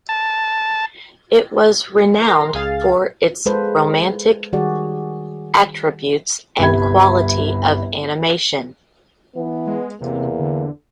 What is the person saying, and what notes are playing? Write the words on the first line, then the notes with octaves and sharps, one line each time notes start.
It was renowned for its romantic attributes and quality of animation.
A5
A#4 A#5 C6
C#2 G#4 F5 A6
G#3 F4 A4 B4 C5
D#3 G3 F#4 G#4 D5
G1 C2 G3 B5 G#6
E3 B3
G#3
E2 C3 A#3
D3